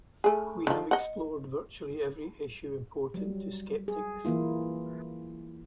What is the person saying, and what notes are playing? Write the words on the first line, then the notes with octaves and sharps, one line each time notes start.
We have explored virtually every issue important to skeptics.
A3 G#4
D#3 F3
D#5 F#5
F#3 G3
G#4
E3 F#3 A#3 E4 F4